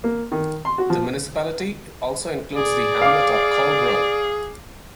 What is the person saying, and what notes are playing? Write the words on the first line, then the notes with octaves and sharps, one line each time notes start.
The municipality also includes the hamlet of Kollbrunn.
A#3
D#3
C6
F#4
F3
G#4 D5
F5 D6